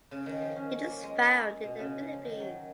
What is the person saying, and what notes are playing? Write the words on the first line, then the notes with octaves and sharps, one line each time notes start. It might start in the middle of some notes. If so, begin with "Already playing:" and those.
It is found in the Philippines.
C#3
D#3
F3
C#4
A#3
G#3
B2
C#3
F3
D#3
F#3